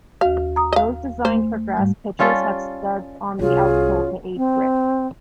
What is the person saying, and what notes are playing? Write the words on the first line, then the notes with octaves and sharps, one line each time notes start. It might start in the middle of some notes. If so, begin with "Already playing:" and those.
Those designed for grass pitches have studs on the outsole to aid grip.
D#2 F#4 F5
A#5 D#6
D#5 F5
A3 C5
G#2 G3
G3 C#4 F4 A4
C2 C#4 F4 F#4 G#4 C#5
C4